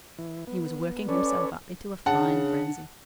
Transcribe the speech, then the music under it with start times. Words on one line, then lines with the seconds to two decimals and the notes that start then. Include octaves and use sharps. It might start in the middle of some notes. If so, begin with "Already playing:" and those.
He was working himself up into a fine frenzy.
0.19 E3
0.47 B3
1.09 C#4 A4 B4 C#5 D5
2.06 C#3 D4 F#5 A5